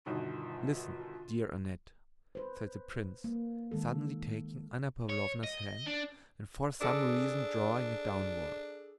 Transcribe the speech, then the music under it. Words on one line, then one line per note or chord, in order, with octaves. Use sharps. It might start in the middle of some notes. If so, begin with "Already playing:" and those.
"Listen, dear Annette," said the prince, suddenly taking Anna Pavlovna's hand and for some reason drawing it downwards.
G1 B2 D#3 F4
B4 C5
A#3
D#3 G#3 A4
C#5
D#5
D4
D4 G#4 A4 D6